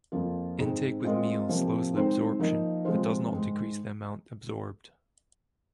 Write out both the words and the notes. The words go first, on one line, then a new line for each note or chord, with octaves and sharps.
Intake with meals slows the absorption, but does not decrease the amount absorbed.
F2 F3 A#3 F4
G#2 D#3 C4 D#4 G#4
G#3 C4 F4 A#4 D#5
C3 F3 A#3
D#3 G#3 C4 D#4 C5
F3 A#3 D#4 A#4 D#5
C3 F3 G#3 F4 C5
G#2 D#3 G#3